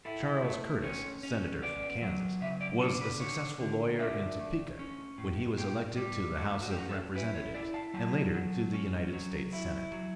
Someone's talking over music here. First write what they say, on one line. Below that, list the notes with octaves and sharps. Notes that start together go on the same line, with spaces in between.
Charles Curtis, Senator from Kansas, was a successful lawyer in Topeka when he was elected to the House of Representatives, and later to the United States Senate.
E4 A4
A3
C#4 C#5
C#4
B3 D5
F#3
C#3 E5
D5
D4 C#5
B4
D3 C#5
D3
D4 E5
A3
C#4
A2
A2 G4
G3
A3 F#4
F#4
G4
C#4 F#4
A4
E4 B4
C#5
E4 D5
A5
F#3 A5
F#3
C#4
F#3
E4
F#3